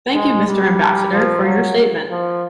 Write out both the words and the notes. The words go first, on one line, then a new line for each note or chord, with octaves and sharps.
Thank you, Mr. Ambassador, for your statement.
G#3
G3
F3
F#3
F3